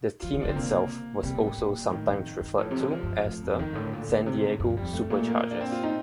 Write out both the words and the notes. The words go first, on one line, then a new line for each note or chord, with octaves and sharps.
The team itself was also sometimes referred to as the "San Diego Super Chargers".
F3 F4
D#3
D4
D3 C4
C3 A#3
C3 G3
A#2
A2
A#2
A2 D#3
F2
G2
A2 F3
C3
D3
C3 F3
G2
A2
F2
G2 D#3
A2 D3
A#2
D3
A#2
C3
A2
G2 F3
G2
F2 G3
G2 A3
A#2
A3
A#3
D4
C4
F4
D#4